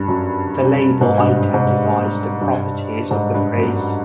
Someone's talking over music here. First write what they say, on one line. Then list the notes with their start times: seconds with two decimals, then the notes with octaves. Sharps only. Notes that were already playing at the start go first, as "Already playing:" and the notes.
The label identifies the properties of the phrase.
Already playing: G2
0.08 F#2
1.01 G#2
1.18 G2
1.36 G2
1.54 G#2
2.41 G2
3.11 G#2
3.34 G2
3.58 F#2